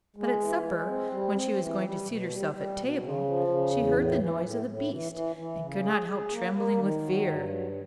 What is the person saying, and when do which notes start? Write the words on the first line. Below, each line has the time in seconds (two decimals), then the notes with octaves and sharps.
But at supper, when she was going to seat herself at table, she heard the noise of the beast, and could not help trembling with fear.
0.16 G#3
0.40 E3
0.64 G#3
0.87 C4
1.11 G3
1.34 C4
1.58 E3
1.82 G3
2.05 B2
2.29 G3
2.53 G3
2.76 B2
3.00 C#3
3.24 F3
3.47 C#3
3.71 E2
3.94 A2
4.18 E3
4.42 A2
4.66 A2
4.89 E3
5.12 E3
5.36 E3
5.60 C#3
5.83 G#4
6.06 G#4
6.30 A#3
6.54 A#3
6.78 D#3
7.02 F#3
7.25 G2
7.49 F#3